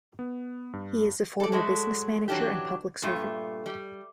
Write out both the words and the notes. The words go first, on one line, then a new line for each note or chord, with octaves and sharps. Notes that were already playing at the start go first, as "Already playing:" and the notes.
He is a former business manager and public servant.
B3
G2
A4 D5
F#3 G#3 A3
E3 F#3 C#4 D4 F4 G4
G2 A#2 A3 F4
G3